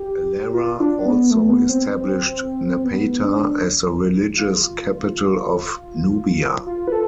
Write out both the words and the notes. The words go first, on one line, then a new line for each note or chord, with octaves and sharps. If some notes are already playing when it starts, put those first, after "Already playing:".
Alara also established Napata as the religious capital of Nubia.
Already playing: G4
F4
D4
B3
A3
B3
C4
C4
C4
B3
D4
F4
F4
B4
A4